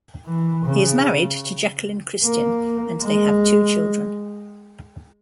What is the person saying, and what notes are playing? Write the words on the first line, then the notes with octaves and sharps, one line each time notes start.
He is married to Jacqueline Christian and they have two children.
E3
C#3
A#3
G#3